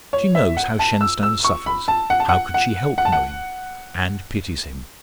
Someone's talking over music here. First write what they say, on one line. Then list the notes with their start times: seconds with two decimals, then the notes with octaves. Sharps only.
She knows how Shenstone suffers--how could she help knowing? and pities him.
0.13 C#5
0.35 E5
0.57 F#5
0.79 A5
1.01 E6
1.23 E6
1.44 C#6
1.66 B5
1.88 A5
2.10 F#5
2.20 A5
2.29 F#5
2.54 F#5
2.98 F#5
3.05 A5
3.12 F#5